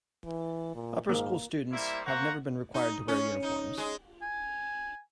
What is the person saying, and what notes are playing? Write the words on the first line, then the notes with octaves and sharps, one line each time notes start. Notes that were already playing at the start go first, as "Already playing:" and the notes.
Upper school students have never been required to wear uniforms.
E3
A#2
G#2 A#3
G3 A#3 E4 C5 E5
A#3 C5 F#5 A#5 C#6
D#4
C#4
D#4
G#3
G#5